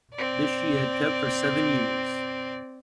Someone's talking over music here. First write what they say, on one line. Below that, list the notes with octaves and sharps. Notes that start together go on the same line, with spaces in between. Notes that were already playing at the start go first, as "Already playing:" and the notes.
This she had kept for seven years.
C4 D5